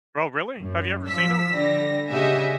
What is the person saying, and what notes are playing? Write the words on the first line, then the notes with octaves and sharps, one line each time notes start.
Oh, really? Have you ever seen 'em?
F#2
F3 E6 B6
D3 G3 A#6
C#3 G4 D#5 E5 F#5 G#5